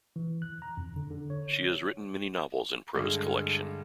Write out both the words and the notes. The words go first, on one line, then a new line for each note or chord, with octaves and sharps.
She has written many novels in prose collection.
E3
F#6
A#5
F2
D3
D3
C#5
G2 D3 G#3